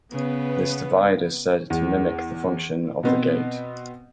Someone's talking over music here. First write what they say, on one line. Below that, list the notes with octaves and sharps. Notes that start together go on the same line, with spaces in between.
This divide is said to mimic the function of the gate.
C#3 B3
E2
B2 B3 C4